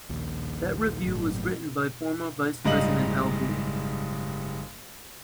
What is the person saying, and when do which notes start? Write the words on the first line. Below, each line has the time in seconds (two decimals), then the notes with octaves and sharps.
That review was written by former Vice President Al Gore.
0.09 A#1 D#2
1.06 G1 A2 F#3
2.65 F#1 G#2 G3 D#5 F5 F#7